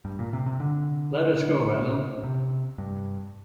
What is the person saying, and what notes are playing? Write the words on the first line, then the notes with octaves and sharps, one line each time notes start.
Let us go, Ellen.
G2
A#2
C3
C3
D3
C3
G2